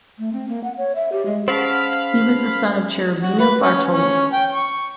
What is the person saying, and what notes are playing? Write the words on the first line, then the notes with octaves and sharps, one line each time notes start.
He was the son of Cherubino Bartoli.
A3
C4
A#3
F#5
C#5
E5
G4
G#3
C#4 G#4 C5 F5 A5 B5
F#4
B4
C#4
C#4
G5
C#6